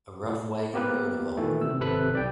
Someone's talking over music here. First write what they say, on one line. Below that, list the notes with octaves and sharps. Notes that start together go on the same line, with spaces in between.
A rough wagon road evolved.
A2
A#3 B3 G4 A#4 B4
A#2 D#3 E3 A3
C3 E6
G#1 C3 A4 B4 F#6 B6
B1 D5 G5